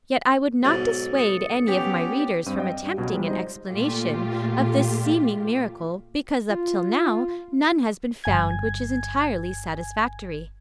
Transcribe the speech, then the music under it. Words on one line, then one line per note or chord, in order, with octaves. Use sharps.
Yet I would not dissuade any of my readers from attempting an explanation of this seeming miracle because up till now none has been found which is entirely satisfactory.
B1 G#2 A6
D#6 C#7
B3 C#4 G4 B6 F7
G2 C4 D#7
D5 D#5 F5 G5
G2
C#2 B2 F#3
F3 G3 G#3
D#4 C5 D#5
A#2 A3 F4 G4
F4
G1 G#5 G#6